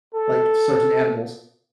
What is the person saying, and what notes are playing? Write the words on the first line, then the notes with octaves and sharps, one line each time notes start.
like, certain animals.
A4